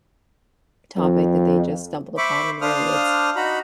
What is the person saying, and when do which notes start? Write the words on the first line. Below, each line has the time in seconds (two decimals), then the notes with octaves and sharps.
topic that they just stumbled upon when really it's
0.97 F2
2.17 C5 E5 B5 C#6 D6
2.61 D4 C5 F5 D#6 F6
3.36 D#4 F#4 A#5 B5